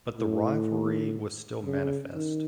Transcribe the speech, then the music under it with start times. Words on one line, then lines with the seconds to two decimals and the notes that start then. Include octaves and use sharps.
But the rivalry was still manifest.
0.17 A2
1.65 C#3
2.15 D#3